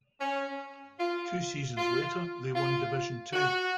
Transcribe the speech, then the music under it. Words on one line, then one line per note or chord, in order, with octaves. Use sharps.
Two seasons later they won Division Two.
C#4
F4
F4
F4
F#4